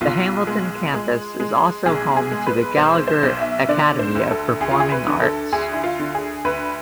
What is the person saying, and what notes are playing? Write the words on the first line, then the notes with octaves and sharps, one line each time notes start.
The Hamilton campus is also home to the Gallagher Academy of Performing Arts.
B1 F4
G#3
G#3
G#3
B1 G#4
G#4
G#3
B4
B1 C5
C5
B1
E5
D3 D5
C5
D2
A4
D2 G#4
F4
G#4
B4
D3
A4
D2 G#4
E4
F4
D3
G#4
D2 B4